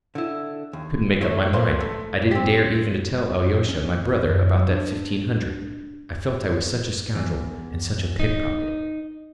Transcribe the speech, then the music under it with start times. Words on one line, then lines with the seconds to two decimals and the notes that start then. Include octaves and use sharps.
I couldn't make up my mind, I didn't dare even to tell Alyosha, my brother, about that fifteen hundred: I felt I was such a scoundrel and such a pickpocket.
0.15 D3 E4
0.73 D#2
1.21 A3 E4
1.53 F3 A3 A#3 B4 C5 D5
1.81 A3
2.31 C4 G4
3.69 C#4
4.25 F#2
4.56 F#3
4.71 D4
7.15 E2
8.20 D#4